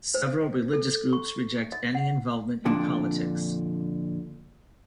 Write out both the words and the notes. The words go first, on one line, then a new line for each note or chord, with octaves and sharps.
Several religious groups reject any involvement in politics.
C5
A4
C#6
D#5
F#5
F2 A#2 D3 D4